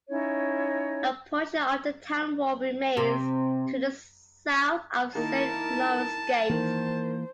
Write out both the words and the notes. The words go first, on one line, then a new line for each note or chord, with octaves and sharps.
A portion of the town wall remains to the south of Saint Laurence's Gate.
C#4 D#4 E4 C#5
C3
D#3 A#3 D#4 E4 A#4 A5
D#3 E3 A#3 C5